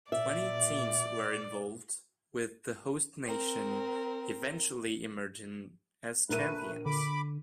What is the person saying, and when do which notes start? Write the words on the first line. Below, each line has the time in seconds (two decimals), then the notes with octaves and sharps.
Twenty teams were involved, with the host nation eventually emerging as champions.
0.12 A#2 D5 E5
3.24 C4 A#4
6.29 A#1 A3 A#4 B4 D#7
6.86 D3 B5 D6